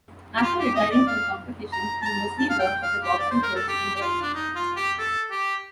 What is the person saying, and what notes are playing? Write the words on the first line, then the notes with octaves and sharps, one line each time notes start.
After retiring from competitions he mostly worked as a boxing coach and referee.
G4
F4
G4
D#5
D5
F5
A#5
A5
A#5
A5
F5
G5
F5
G4
D5
C5
A#4
A4
G4
G4
F4
D4
D#4
F4
G4
A4
G4